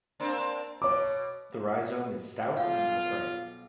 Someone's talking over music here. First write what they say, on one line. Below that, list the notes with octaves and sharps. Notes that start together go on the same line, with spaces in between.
The rhizome is stout and upright.
A#3 C4 D4
B2 C#5 D6
B1 F4 F5 G5